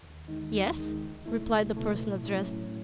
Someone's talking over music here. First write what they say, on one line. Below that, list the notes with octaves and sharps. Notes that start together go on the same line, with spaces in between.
"Yes," replied the person addressed.
D#2
D#3 G#3 D#4
D#2
D#3 G#3 D#4
C#2
B2 A3 E4
C#2
B2 A3 E4
A2
F#3 A3 C#4 E4
A2